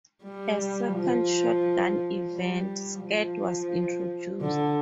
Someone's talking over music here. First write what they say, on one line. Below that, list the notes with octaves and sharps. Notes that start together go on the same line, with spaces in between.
A second shotgun event, Skeet, was introduced.
G3
F3
G3
F3
D3